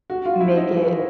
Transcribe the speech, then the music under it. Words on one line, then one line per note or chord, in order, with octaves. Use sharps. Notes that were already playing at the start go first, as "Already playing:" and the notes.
make it
F#4
F4
E4
D#4